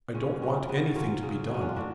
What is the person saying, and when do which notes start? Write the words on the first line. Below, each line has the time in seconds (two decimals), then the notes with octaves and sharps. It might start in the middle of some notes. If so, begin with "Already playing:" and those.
I don't want anything to be done.
0.14 C#3 C#4 F4
0.35 F#4
0.42 F#3 C#4 F4
0.69 C#3 B3 D4
0.95 F#3 C#4 F4
1.23 C#3
1.50 F#3 C#4
1.61 D4
1.69 F4
1.76 A2 D4 F#4